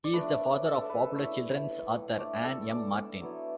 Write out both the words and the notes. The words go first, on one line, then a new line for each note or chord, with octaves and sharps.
He is the father of popular children's author Ann M. Martin.
D5
A3 D4 B4
A4
B4
A3 E4
A3 D4 D5
A4
D5
F#3 B3 E4